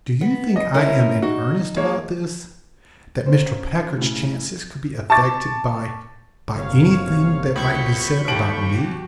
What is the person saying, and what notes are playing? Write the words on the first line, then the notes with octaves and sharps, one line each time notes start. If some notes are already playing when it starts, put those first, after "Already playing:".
Do you think I am in earnest about this--that Mr. Packard's chances could be affected by--by anything that might be said about me?
B3
D#5
C#4 E4 A#4
D#4 F#4
G#3 A#3 C#5
A#3 C#4 C5
A2 C#3
A5 C#6 D6 A6
G1 C3 F#3 A#3 C#5 F5
C#2 B5 C#6 G6
D#2 G4 A4 D7 F#7
F#4 G4